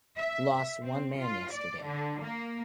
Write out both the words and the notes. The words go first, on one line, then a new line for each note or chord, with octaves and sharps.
Lost one man yesterday.
E5
C4
F4
D5
D3
A#3